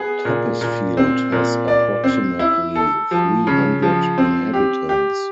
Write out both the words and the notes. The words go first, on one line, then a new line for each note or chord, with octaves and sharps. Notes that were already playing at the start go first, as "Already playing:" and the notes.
Toppesfield has approximately three-hundred inhabitants.
Already playing: B3 G#4
A#2
A#2
C4
A#2
D5
C4
E4
A4
F3
C#3
F3
C4
G4
G4